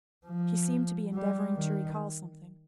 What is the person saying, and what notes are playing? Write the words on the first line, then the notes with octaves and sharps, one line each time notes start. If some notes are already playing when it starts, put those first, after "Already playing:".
She seemed to be endeavoring to recall something.
F3
G3
D#3